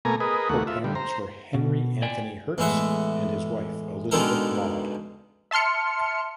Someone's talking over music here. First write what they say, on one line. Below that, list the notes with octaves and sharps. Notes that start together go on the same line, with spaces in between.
Her parents were Henry Anthony Hertz and his wife Elizabeth Maud.
B2 A3 A#3 G#5 A#5
G#4 A#4 B4 D#5
D#2 A3 A#3 F#5
F4 E5
D3 G3
C5 A#5
B2
D5 G5 G#5
E2 A2 G#3 E5 F#5
B2 D3 D#3 G#3 A4 A#4
E5 A5 C6 F6 C#7